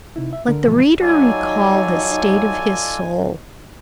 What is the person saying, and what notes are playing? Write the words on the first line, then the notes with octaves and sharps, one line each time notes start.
Let the reader recall the state of his soul.
C3 D#4 E4
E5
C#2 D3 A#4
A#2 C#3 E3 F3 G#3 B3
F#3 D#4 F4 A4 D5 G#5